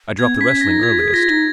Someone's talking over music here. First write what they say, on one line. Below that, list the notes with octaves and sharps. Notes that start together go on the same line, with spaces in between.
I dropped the wrestling earliest.
B3 G#6
C#4
B6
C#4
A#6
D#4
F4 G#6
G#4
F4 A#6
D#4